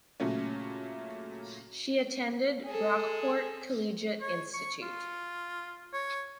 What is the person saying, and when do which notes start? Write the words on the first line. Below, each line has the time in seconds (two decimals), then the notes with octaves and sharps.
She attended Brockport Collegiate Institute.
0.20 A#2 C#3 F#3 A3 C#4
2.66 G#4 A4
4.21 C#5
4.54 C#6
4.82 F4
5.93 C#5